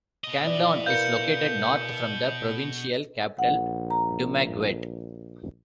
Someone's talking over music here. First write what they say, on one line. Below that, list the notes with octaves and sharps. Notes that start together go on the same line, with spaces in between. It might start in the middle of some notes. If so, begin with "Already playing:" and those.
Canlaon is located north from the provincial capital Dumaguete.
B2 D#5
E4 D5
A#4 B4 F5 G6 C#7
A#1 F#5
A#5